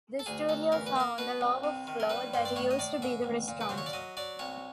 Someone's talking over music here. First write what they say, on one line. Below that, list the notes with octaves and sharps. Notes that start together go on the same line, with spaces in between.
The studios are on the lower floor that used to be the restaurant.
A4
D2 G#4
D2 A4
E2 A#4
B4
A#3 A#4
B2 B4
C2
C3
D#3
A#4
G3 B4
G2 C5
D5
A2 C#5
D#5
A2 D5
G#2 E5
A1
A#2
B4
F#3 C5
C#5
D5
F#3 D#5
F#3 D5
C2 C#5